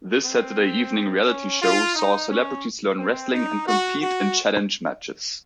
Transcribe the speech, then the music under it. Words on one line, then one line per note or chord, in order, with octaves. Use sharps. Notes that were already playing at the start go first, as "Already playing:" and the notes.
This Saturday evening reality show saw celebrities learn wrestling and compete in challenge matches.
C4
C#4
F4
D#4
C#4
C4
D#4
F#4
F#4